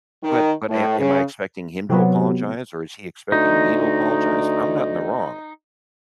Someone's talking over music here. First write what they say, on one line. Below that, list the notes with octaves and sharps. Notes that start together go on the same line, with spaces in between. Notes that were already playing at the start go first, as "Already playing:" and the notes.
but but a am I expecting him to apologize, or is he expecting me to apologize? I'm not in the wrong.
D#3
A2
C#3
C3 F#3 B3
D2 D#4